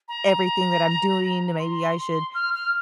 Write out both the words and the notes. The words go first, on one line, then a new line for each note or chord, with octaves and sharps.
everything that I'm doing, then maybe I should
A#5
C6
F6
F6